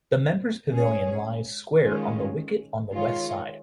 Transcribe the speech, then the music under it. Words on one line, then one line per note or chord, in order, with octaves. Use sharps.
The members pavilion lies square of the wicket on the west side.
G#3 C#4 G#4 C#5
D#3 G#3 C#4 F4
D#3 G#3 F4 C#5